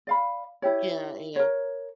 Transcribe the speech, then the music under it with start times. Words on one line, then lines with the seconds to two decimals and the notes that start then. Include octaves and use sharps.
Yeah, yeah.
0.07 D5 F5 B5
0.62 E4 G4 C#5
1.36 A#4 C#5